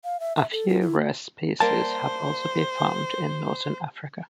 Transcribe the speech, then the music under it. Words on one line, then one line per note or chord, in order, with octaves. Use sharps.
A few rare species have also been found in northern Africa.
F5
E5
E5
A4
F4
E4
G3 A#3 C5 A5